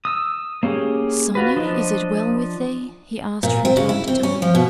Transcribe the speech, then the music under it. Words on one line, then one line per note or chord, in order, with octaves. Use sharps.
"Sonya, is it well with thee?" he asked from time to time.
D#6 E6
A#3 C#4 G4 G#4
F4 F#4 B4
F3 D4 D#5
A#2
C4
C#3
E4
C4
C#4
F3
B2